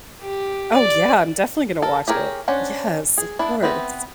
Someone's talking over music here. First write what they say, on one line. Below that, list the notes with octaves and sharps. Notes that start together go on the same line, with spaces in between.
Oh, yeah, I'm definitely gonna watch it. Yes, of course.
G4
D5
A4 A#4
G4 G#4 A#4 B4 C#5
C#4 D4 C5 F#5
G#4
B3 D4 E4
B3 C4 B4 E5